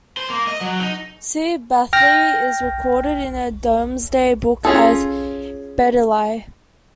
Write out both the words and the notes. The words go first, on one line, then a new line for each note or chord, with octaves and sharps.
C Bathley is recorded in the Domesday Book as Badeleie.
C5
A#3
D#5
F#3
D#4
G5 F6 A#6
C#4 F4 G#4 A4